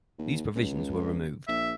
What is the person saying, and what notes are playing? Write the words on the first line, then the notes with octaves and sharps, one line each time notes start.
These provisions were removed.
D#2
C#2
A#1 E5